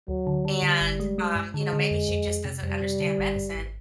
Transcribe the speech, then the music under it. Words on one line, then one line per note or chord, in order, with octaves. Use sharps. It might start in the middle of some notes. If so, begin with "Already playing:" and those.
and, um, you know, maybe she just doesn't understand medicine,
D2 F#3
D3
D3 G3
D3
G1
G#3
G#3
G2
D3 G#3
D3
F2
F2
F2
C3
F2 G3
C3
D3
G#1
G2
G#1